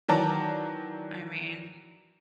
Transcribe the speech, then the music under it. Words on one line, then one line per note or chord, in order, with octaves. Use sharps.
I mean
D#3 E3 F#3 D5 A5 A#5